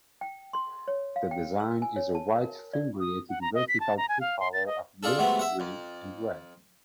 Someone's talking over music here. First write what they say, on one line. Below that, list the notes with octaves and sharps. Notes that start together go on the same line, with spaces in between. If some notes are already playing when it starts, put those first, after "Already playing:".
The design is a white-fimbriated vertical tricolour of blue, green, and red.
G5
C6
C#5
F5
G5
E6
G#5
C#5
A5
A#4
D5
D#6
F#5
A#5
D#5
B6
A5
A#5
G#5
F5
C6
A6
D#5
D4 F4 G#4 A4
C3 F#3 G#3 A3 B3
E5 F#5
F2